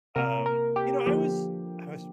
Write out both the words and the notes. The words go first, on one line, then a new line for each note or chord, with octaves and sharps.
um You know, I was I was
C3 A#3 A#4
A#4
G4
D3 F3 A#3 G4